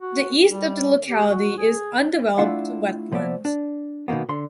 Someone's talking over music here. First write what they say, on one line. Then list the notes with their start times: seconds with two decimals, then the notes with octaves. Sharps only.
The east of the locality is undeveloped wetlands.
0.01 F#4
0.48 G3
1.09 G4
1.30 F#4
1.58 G#4
2.38 A3 C4 D4 E4 F4 F#5
3.12 C2 F3 A#3 B3 D5 E5
3.45 D4
4.08 B2 D#3 F3 A#3 B3
4.29 D3 C6